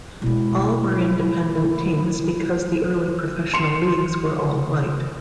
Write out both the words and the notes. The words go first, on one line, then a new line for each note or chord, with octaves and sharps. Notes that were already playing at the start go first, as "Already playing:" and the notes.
All were independent teams because the early professional leagues were all-white.
B2 G#3 E4
C6 C#7 E7 F7